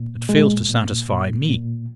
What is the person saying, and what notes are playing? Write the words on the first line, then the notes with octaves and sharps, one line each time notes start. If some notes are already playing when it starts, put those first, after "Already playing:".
It fails to satisfy Me.
Already playing: A#2
A#2 G#3
A#2
A#2
A#2